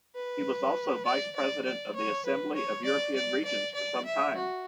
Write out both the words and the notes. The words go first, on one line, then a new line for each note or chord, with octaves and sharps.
He was also Vice President of the Assembly of European Regions for some time.
B4
D5
D5
D5
C#5
B4
C#5
D5
D5
D5
D5
E5
F#4